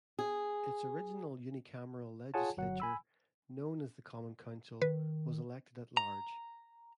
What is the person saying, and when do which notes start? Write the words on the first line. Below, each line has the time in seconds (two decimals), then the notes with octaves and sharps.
Its original unicameral legislature, known as the Common Council, was elected at-large.
0.19 G#4
2.34 F4 G#4 C#5 F#5 G#5 A5
2.57 G1 F#3 F#5
2.80 G#5 B5 E6
4.82 D#3 B4
5.97 A#5